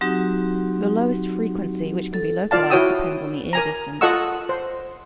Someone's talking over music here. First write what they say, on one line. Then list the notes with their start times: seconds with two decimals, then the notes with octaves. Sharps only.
The lowest frequency which can be localized depends on the ear distance.
0.01 F#3 C4 D#4 F#4 G4
2.14 A4
2.51 F4 D5 F5 A5
2.70 E4 F#4 C#5 G5 D#6 E6
3.53 A#4 G#5 A#5
4.01 F4 A4 D#5 F#5 C#6 E6
4.49 C5